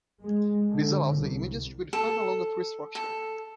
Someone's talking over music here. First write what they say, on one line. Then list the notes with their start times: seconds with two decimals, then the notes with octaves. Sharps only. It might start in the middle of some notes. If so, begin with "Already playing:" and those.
This allows the images to be defined along a tree structure.
0.21 G#3
0.70 D3
1.13 C2
1.93 A4
2.95 A4